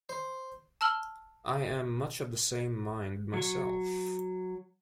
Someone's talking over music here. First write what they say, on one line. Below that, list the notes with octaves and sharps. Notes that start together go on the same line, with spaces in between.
I am much of the same mind myself.
C5
A5 E6 F6 F#7 G7
F#3 C#6